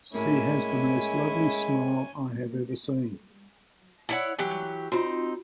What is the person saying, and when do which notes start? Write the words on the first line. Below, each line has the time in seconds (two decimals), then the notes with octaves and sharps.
She has the most lovely smile I have ever seen.
0.14 A2 G#3 A#3 C#4 E4 G#5
4.09 E4 C#5 F#5
4.39 E3 F#3 G4
4.92 C4 D#4 F4 F#4